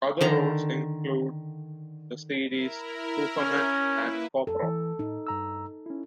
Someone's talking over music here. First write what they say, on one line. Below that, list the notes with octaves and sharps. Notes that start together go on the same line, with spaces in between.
Other roles include the series "Hooperman" and "Cop Rock".
D3 D#3 A#5
E4 A#4
C#4
A#3 E4 B4
F2 A4
E3
A2 D#4
G2 A#5 E6
C#4 E4